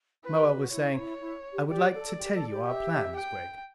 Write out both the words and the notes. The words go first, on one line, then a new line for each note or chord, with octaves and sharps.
Moa was saying, "I would like to tell you our plans, Gregg."
E4 B4
G4
F#4
E4 C#5
E4
E4
G4
G4 D5
A4
G4
A4
G4
E5
G5